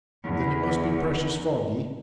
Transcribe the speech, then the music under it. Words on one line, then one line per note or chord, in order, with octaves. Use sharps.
Then it must be precious foggy?'
E2 E3